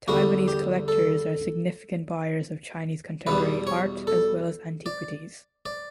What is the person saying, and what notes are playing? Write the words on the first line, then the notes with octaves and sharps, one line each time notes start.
Taiwanese collectors are significant buyers of Chinese contemporary art as well as antiquities.
E2 D3 G3 F#4
G4
A4
E2 B2 G3 B4
C#5
A4
D5
D5